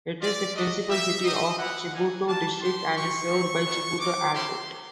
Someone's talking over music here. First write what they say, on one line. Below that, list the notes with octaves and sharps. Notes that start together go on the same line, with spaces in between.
It is the principal city of Chibuto District and is served by Chibuto Airport.
C4 F4 D5
A3 D4 F#4 D#5
A#3 D#4 G4 E5
B3 D#4 G4 D#5
B3 E4 G4 F#5
G3 A#3 D#4 G4 G#5
A#3 D4 F4 A5
B3 D4 G4 C6
A3 D4 G4 C#6
G3 C4 E4 G4
G3 B3 D4
G#3 C4 D#4 D6
A#3 C#4 E4 G4 C6